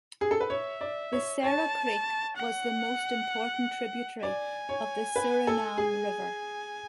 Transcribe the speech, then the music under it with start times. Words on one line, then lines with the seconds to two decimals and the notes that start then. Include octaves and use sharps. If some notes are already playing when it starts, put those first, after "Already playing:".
The Sara Creek was the most important tributary of the Suriname River.
0.21 G#4
0.31 A4
0.40 B4
0.50 C#5 E5
0.81 D5
1.12 C#5
1.43 C#5 A5
2.37 F#5
4.23 D5 G#5
4.69 C#5
5.16 B4
5.47 A4
5.78 G#4